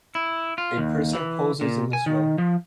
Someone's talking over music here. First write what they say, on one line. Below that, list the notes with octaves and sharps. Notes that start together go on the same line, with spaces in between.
A person poses in the snow.
E4
F4
D#2
E3
A#2
G#5
D#3
F3